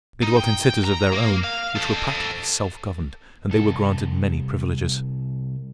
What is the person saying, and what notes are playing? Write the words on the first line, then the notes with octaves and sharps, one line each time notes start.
They dwelt in cities of their own which were practically self-governed, and they were granted many privileges.
D#4
G5
A#5
A#3
F5
A4 C5
C2 A4